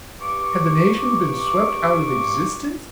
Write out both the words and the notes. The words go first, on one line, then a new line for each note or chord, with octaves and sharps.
Had the nation been swept out of existence?
G2 C#6 D6